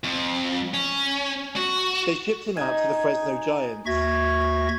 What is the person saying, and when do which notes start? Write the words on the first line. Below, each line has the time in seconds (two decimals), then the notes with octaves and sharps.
They shipped him out to the Fresno Giants.
0.04 F2
0.74 C#4
1.56 F#4
2.57 D#4 G#5
3.86 D#2 F#4 E5 C#6 G#6 A#6